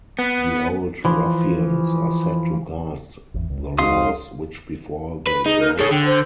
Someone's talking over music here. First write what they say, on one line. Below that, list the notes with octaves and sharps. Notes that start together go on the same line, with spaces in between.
The old ruffians are set to guard the laws which before they broke.
B3
E3 F3
G#1 E2
C#2
G#3 D#4 F#4 F5 C6 D#6
B4
D#4 G#4
A#4
G#4 A4 C#5
D3 G5
C5